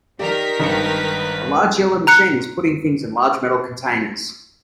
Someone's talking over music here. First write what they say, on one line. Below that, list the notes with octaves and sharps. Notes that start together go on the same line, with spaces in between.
A large yellow machine is putting things in large metal containers.
D#3 G4 A#4 D5 B6
G#1 G2 D#4 B4 C#7
A#5 F#6 C#7